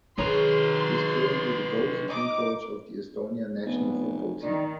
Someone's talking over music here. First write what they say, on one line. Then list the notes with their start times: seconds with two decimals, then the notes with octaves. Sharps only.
He is currently the goalkeeping coach of the Estonia national football team.
0.18 D#3 D#4 G#4 A#4 B4 C#5 C6
2.10 D#4 D6
3.65 F1 B3
4.43 D#3 D5